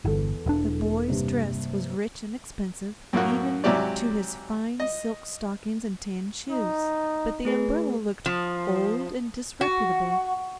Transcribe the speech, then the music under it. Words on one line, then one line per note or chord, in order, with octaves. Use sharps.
The boy's dress was rich and expensive, even to his fine silk stockings and tan shoes; but the umbrella looked old and disreputable.
G1 E2 A4
E1 D4
G2 C3 A#3
F#2 A2 A#3 F#4
G#2 C3 F#3 E4 G4 D5
D#5
D#4
A3 G#4 B4
F3
F#4